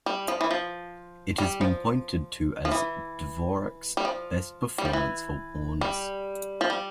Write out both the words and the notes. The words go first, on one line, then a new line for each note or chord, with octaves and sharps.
It has been pointed to as Dvorak's best performance for Warners.
G3
F3
E3
F3
G3
F3
F3
E3
G3
F3
G3
F3
E3
G3
F3
G3